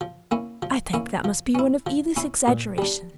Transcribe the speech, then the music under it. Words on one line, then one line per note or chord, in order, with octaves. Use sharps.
'I think that must be one of Edith's exaggerations.
F3
A#3 C#4 E4
F3
A#3 C#4 E4
F3
C#4 E4
F3
C#4 E4
A#2
G3 D4